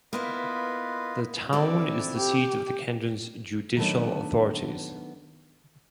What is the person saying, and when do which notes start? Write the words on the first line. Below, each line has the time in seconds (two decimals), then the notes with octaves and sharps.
The town is the seat of the canton's judicial authorities.
0.13 A#3 B3 E4 F4 B4 D#5
1.53 C4 E4 F#4 A4 D5
2.15 G4
3.77 D#3 F#3 G3 A3 B3 D4